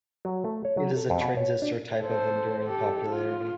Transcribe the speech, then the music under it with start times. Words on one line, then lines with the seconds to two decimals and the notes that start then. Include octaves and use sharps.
It is a transistor type of enduring popularity.
0.25 F#3
0.45 A3
0.65 C#5
0.77 F#3
0.97 A4
1.10 F2
1.21 B2
1.37 C#5
1.62 D4
2.03 A4 C5
2.65 G4 A4
3.09 F4